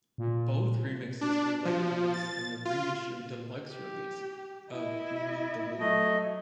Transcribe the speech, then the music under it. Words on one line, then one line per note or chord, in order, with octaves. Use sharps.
Both remixes were later released on the reissue deluxe release of "Meet the Woo".
A#2
D4
F3
A6
F4
G4
E4 D#5
F#3 A3 D#5